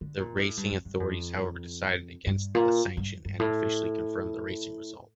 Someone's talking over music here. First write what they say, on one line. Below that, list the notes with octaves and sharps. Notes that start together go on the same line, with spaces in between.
The racing authorities however decided against a sanction and officially confirmed the racing result.
D3
A#2
A2
G2
F2
G2
F2
G2
A#2
G2
G2
A2